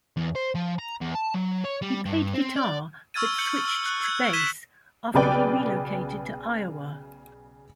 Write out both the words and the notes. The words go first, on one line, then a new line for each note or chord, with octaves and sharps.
He played guitar but switched to bass after he relocated to Iowa.
E2
C5
F3
A#5
E2
A5
F#3
C#5
G3
G2
C4
D5
C#6 E6 F6 G#6 A6 D#7
G6 C#7 F#7 G7
E6
F#6
E6 G#6
G#6 B6 D#7 E7 G7
B1 C#3 B4 D5 G5